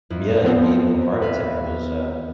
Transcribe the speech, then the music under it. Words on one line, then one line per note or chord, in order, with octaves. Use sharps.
yeah, it gave him a heart attack, it was, uh
F2 E4
F3 B3 C4
B4 E5 F5